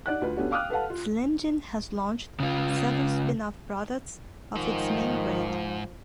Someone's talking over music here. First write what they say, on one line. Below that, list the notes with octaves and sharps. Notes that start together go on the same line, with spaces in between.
Slim Jim has launched several spin-off products of its main brand.
D#4 D5 F#5 F#6
D2 F4 B4
A3 B3 C#4 D4 F#4 G4
F5 G5 D6 D#6 F6 F#6
A4 B4 F5 F#5 A5
F4
C#3 F4
G#2 D#3 F3